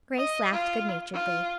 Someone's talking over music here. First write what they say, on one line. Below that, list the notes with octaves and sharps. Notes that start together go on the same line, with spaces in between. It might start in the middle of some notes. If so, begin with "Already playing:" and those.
Grace laughed good-naturedly.
D#5
F4
F4